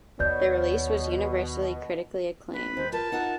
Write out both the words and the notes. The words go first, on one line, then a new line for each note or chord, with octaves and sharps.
The release was universally critically acclaimed.
D#2 B2 C#5 D5 G6
B4
D#2 C5
F4 G4 A#4 B4 A5
D#4 F4 A#4 F#5